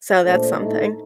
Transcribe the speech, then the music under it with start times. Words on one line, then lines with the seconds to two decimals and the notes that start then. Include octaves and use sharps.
So, that's something.
0.24 A#2 A3 D4 A4 C5
0.58 A2 A3 D#4